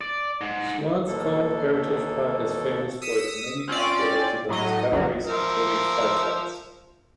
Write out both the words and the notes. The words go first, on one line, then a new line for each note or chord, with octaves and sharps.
Swanscombe Heritage Park is famous for its many archaeological discoveries, including ficrons.
D5
G#2
D#2 B2 E3 A#3 A4
D#6 E6 B6 C#7 D#7
C4 C#4 F4 D5
A2 F#3 A3 D#5
A#1 F2 A#2 C#3 F#3
F3 A#4 E5